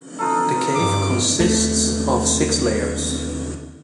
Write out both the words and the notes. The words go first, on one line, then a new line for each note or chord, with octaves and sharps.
The cave consists of six layers.
D#4 F4 A4 A#5
G2 D6
D#2 A3